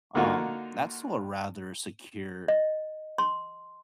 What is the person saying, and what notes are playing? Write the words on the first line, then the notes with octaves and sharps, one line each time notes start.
um that's still a rather secure
D3 A#3 D#4 F4 F#4
D#5
C6